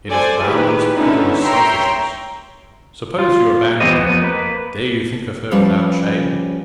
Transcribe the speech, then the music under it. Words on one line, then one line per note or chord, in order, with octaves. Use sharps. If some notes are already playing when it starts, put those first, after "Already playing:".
It is boundless, pitiless selfishness. Suppose you abandon her, dare you think of her without shame!
A4 C5 D5 G#5
D#3 G#3 E4 G4 B4
D3 B3 C#4 D#4 E4
C#5 E5 G5 A#5 C6
F4
E3 B3 C4 F4 G4 D#5
F2 B3
A#3 B4
F3 G3 C#4 G#4 B4 D5